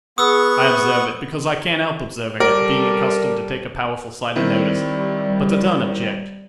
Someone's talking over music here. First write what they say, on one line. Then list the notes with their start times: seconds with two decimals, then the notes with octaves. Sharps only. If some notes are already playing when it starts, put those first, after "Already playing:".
I observe it, because I can't help observing it, being accustomed to take a powerful sight of notice; but I don't object.
0.18 B3 G#4 F#5 C#6 D#6 E6
2.40 G3 A4 A#4 D5
4.36 D#3 G3 C4 E4